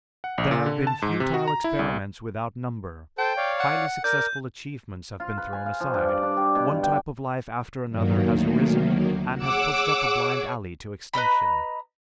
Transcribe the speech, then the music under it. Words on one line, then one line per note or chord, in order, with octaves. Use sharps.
There have been futile experiments without number; highly successful achievements have been thrown aside; one type of life after another has arisen and has pushed up a blind alley to extinction.
F#5
A#1
A#2
D3
A5
G#2
C3
F#4
A#5
E4
C2
A4 C5 G5 A5
C#5 D5 F5
F#5
A#4 D5 G6
F4
B4
G#5
F5
F3
G2
D5
D4
G4
B2
G2
G5
G2 D#3 F#3 A#3
D2
G#4 C#5 F#5 D6 E6
B4 D#5 A#5 B5